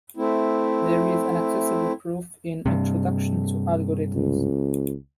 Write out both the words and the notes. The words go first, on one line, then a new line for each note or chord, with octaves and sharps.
There is an accessible proof in "Introduction to Algorithms".
A3 C4 E4
G2 C3
C#2